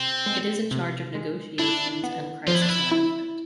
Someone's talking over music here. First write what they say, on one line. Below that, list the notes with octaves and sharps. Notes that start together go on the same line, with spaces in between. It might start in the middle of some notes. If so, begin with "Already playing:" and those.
It is in charge of negotiations and crisis management.
Already playing: C3 C4
G#3
C3
G#3
D4 E4
B3
F3 F4
E4
D4
E4
E4